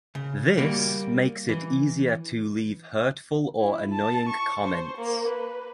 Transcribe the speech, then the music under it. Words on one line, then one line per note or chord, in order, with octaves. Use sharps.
This makes it easier to leave hurtful or annoying comments.
C#3
G3 A#3 F#4 D5
E3
E4
A5
C#6
C5
A#3
B4